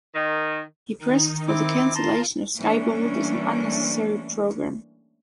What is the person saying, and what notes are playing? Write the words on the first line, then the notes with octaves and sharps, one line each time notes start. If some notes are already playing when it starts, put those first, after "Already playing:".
He pressed for the cancellation of Skybolt as an unnecessary program.
D#3
D#3 D#4
C4 E4 D6
F4 A5 A#5 C6
E3 G3 A3 A#3 C#4 D4